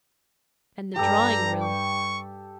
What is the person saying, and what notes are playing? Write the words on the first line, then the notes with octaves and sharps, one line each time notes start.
And the drawing-room!
G2 G3 G4 A4 A#5
C#6